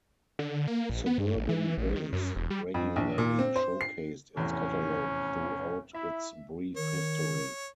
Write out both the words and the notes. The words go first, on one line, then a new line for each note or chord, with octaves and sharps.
Suburban Base regularly showcased its catalogue throughout its brief history.
D3
A#3
A#1
B3
G2
A1
E3
A1
D#3
F#2
E1
G3
F2
A#1
A#2
C4
C5
C7
F1 E2 A2 C#4
E4 E5
D#3 C#5